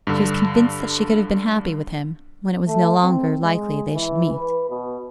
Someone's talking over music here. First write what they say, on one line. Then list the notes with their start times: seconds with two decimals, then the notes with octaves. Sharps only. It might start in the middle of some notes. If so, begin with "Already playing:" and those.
She was convinced that she could have been happy with him, when it was no longer likely they should meet.
0.07 G2 D3
2.67 A3
3.02 C4
3.43 G#3
3.94 E3
4.33 B4
4.70 B2